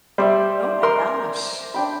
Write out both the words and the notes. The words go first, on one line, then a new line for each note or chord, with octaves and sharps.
Oh my gosh.
G3 C5 D5 E5
A#4 C6
D4 G5 B5